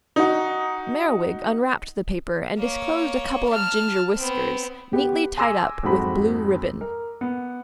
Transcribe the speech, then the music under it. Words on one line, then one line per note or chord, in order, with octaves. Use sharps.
Merriwig unwrapped the paper, and disclosed a couple of ginger whiskers, neatly tied up with blue ribbon.
D#4 F#4
A#3 C#5
A5 F6
B3 C4
B3 G4
G#5 C6 D6 E6 A#6
F2 G#2 F#4 B5
A#4
B3